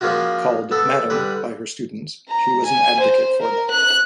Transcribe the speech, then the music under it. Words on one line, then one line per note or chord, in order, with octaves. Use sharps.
Called "Madam" by her students, she was an advocate for them.
F3 G#3 A#3 C#4 F4 F#4
B3 A4
D3 G3 B4
A#5
G#5
C5
A#4
F#6